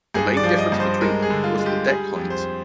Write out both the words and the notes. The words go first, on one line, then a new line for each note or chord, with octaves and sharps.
The main difference between them was the deck height.
G2 G#4
D5
F3
D#5
G2
C5
G#3 A#4
G#4
D3
F4
G#3
G4
G3 G#4
F2
C5